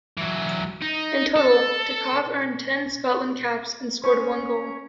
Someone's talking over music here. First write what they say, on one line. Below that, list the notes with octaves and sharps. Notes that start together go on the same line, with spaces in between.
In total, Dickov earned ten Scotland caps and scored one goal.
E3 F#3
D#4
A4
C#4 C5 C#5 C#6